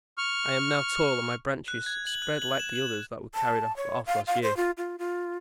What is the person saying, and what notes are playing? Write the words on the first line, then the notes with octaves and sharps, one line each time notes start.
I am now tall, and my branches spread like the others that were carried off last year!
C#6 F6
F#6
G#6
F#7
F#6
F#7
E7
F#7
A5
C#5
F5
F5
C5
F4
F4
F4